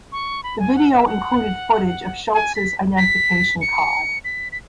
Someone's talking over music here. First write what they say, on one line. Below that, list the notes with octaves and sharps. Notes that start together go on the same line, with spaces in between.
The video included footage of Schulz's identification card.
C#6
B5
G#5
F#5
E5
F#5
G#5
B6
B6
C#7
B6
B6